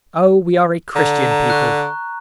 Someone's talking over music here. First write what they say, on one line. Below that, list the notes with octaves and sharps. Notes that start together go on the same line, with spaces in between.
Oh! we are a Christian people!
D3 A#5
A#5
C#6 F#6